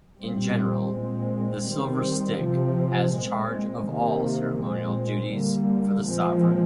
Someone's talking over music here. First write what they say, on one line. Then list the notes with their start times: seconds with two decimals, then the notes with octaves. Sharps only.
In general, the Silver Stick has charge of all ceremonial duties for the Sovereign.
0.20 A#2 G3 C4
0.92 A#2 G#3 C4
1.66 D#3 G3 C4
2.39 C3 F3 C4
3.13 A#2 G#3 C4
3.86 C3 D#3 A#3
4.59 A#2 G#3 C4
5.32 D3 G3 A#3
6.06 A#2 F3 G#3 C4